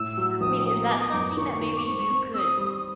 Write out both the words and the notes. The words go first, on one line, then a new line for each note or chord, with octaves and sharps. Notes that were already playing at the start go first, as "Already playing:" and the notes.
I mean, is that something that maybe you could
Already playing: A2 E6
F#3
A#1 D#6
A#3
B3 D6
D#6
F#2 D6
D#3 C#6
D#3
D6
C4 C#6
C4
C4 D#6 E6
G3